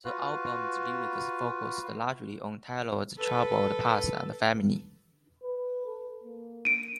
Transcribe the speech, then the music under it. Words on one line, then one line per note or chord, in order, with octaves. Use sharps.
The album's lyrics focused largely on Taylor's troubled past and family.
F4 F#4 B4
A4 B4
B4
A4
A#3
D7 D#7